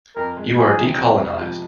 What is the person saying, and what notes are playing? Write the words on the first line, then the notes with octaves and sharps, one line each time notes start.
You are decolonized.
F2 A#4
G#3
F3 G#4
C3
F2
G#3
F3